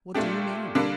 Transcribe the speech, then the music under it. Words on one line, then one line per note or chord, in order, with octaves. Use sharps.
"What do you mean?"
A#2 A3 D4 G4
D3 G3 A#3 D4